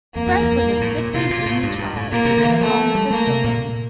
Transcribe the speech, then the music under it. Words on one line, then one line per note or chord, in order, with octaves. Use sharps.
Frank was a sickly, dreamy child, tutored at home with his siblings.
F2 A#3
F2
E2
F2
G2
A2
A#2
C3 F4
A#2
A2
G2
G2
A2
A#2 A#3
C3
D3
E3
F3 A3
G3
A3 A#3
C3
A#2